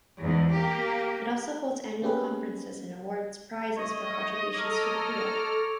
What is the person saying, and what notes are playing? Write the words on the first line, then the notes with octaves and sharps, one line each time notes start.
It also holds annual conferences and awards prizes for contributions to the field.
E2 G#2
A#3 G4
A#3 B3 C#4 G4 G#4 B4
A3 C#5 D#5
A4 C#5 A#5 D6 F6